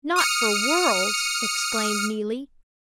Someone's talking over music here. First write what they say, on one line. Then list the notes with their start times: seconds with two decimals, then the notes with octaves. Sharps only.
"Not for worlds!" exclaimed Neelie.
0.16 D#6 F6 C#7